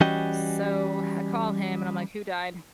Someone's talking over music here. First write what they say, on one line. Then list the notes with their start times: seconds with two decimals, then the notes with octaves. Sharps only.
So I call him and I'm like, "Who died?"
0.01 E3 G3 C#4 F#4 D#5 G5